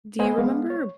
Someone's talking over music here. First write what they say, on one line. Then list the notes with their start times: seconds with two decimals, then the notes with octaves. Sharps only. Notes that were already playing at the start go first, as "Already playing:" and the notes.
Do you remember
0.19 B3 B4 C5 D#5 G#5
0.38 G#3 B3 F5
0.70 C#5